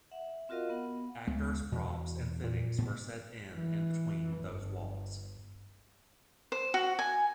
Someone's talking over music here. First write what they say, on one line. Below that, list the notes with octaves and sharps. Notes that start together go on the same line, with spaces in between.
Actors, props and fittings were set in and between those walls.
E5 F#5
C4 F4 F#4 A#4 D#5 F5
B3 F#5
D2 G#3 B3
E2 B2
A#2
G#2 B3
E3
G1
C5
F#4
G#5